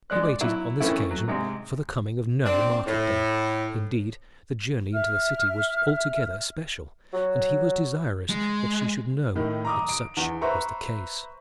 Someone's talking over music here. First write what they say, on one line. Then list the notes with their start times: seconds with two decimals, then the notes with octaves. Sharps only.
He waited, on this occasion, for the coming of no market-day; indeed, the journey into the city was altogether special, and he was desirous that she should know that such was the case.
0.10 G#3 D4 F#6
0.23 D5
0.41 F#3 E4
0.80 D#3 E3 A3 C#4 E4
1.11 F#3
1.28 G#2 C3 G#3
2.45 C4 D4
2.87 A2
4.94 E5 F6
7.13 F#3
8.30 G#3
9.35 A2 D#3
9.65 A#5 D6 D#6
9.89 D7
10.17 E2
10.41 B4 C5 E5 A#5 C#6